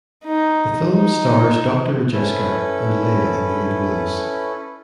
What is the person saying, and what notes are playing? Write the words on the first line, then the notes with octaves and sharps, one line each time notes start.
The film stars Doctor Rajasekhar and Laya in the lead roles.
D#4
D#4
C#4 E4 A4 B4